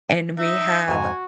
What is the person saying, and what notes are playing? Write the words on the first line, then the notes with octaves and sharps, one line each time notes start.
and we have
D#4 E5
F2 G#2 F#4 G#5